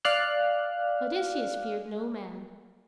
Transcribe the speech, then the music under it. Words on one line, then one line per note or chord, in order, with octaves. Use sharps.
Odysseus feared no man.
D5 F5 F6 F#6